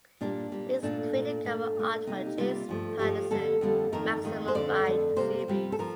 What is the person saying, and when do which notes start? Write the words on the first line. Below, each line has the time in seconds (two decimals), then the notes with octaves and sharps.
Meeks created cover art for James Patterson’s "Maximum Ride" series.
0.21 A#2 G3 A#3 D4
0.52 A#2 G3 A#3
0.83 A#2 A3 D4
1.14 A#2 A3
1.45 A#2 A3 D4
1.76 A#2 A3
2.07 C3 G3 A#3 D#4
2.26 G4
2.37 C3 G3 A#3 F4
2.69 G2 F3 A3
2.99 G2 F3 A3 G4
3.30 F2 D3 G3 A#3 A4
3.61 F2 D3 G3 A#3
3.92 F2 D#3 A3 A#4
4.24 F2 D#3 A3
4.48 C5
4.55 F2 D3 A3 D5
4.86 F2 D3 A3
5.16 C3 G3 A#3 C5
5.48 C3 G3 A#3
5.72 A4
5.79 F3 A#4